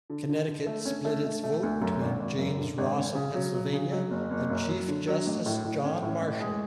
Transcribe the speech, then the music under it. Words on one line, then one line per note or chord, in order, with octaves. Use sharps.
Connecticut split its vote between James Ross of Pennsylvania and Chief Justice John Marshall.
D3
D3
D3
A3
C#4
A3
A3
A3
D2
F#2
G#1
G#1
F#2
D3
G#1
C#4
C#3
F#3
F#3
C#3
F#3
F#1
F#1
F#2
F#3
D3
F#3
A1
A2
A2
C#4
A2
A1
G#3